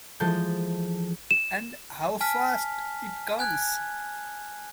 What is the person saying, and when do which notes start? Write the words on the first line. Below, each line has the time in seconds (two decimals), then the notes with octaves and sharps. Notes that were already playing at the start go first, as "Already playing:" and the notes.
And how fast it comes!
0.20 E3 F3 G#3 A4 A5 G6
1.31 E7
2.20 G#5 A5 F6 B6
3.39 G#5 F#6 G#6